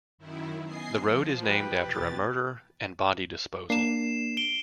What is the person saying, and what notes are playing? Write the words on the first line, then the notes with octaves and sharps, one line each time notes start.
The road is named after a murder and body disposal.
F#2 D#3 E4
B3 D#5 G#5 C7
F3
G4 B4
E2 B2 A6
A#3 D4 C7 E7
D7 G7